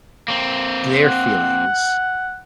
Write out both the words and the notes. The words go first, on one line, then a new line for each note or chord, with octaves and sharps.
their feelings,
A#3 C4
F#5